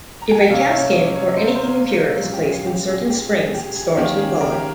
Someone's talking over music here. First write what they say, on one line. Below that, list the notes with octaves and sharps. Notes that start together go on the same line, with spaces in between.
If a cowskin or anything impure is placed in certain springs, storms will follow.
A#5
G#5
G5
C3 G3 A#3 C#4 F5
C#5
D#5
C#5
C5
A#4
C5
A#2 G#3 C#4
G4
G#4
G4
G#4
G4
G#4
G4
G#4
D#3 A#3 C#4 G4
G#4
A#4
G4